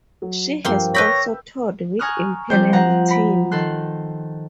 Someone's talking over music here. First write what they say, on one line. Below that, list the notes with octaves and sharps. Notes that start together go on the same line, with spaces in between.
She has also toured with Imperial Teen.
F#3
G2 F3 A#3 C4 C6
B4 C#5 G5 B5 D6 E6 G6 A#6
G#5 A#5 C#6 D#6 F6 F#6
F3 G3 C4 C5 G5 G6
F3 F#5 A#5
A#5 B5
D#3 A4 C6 F#6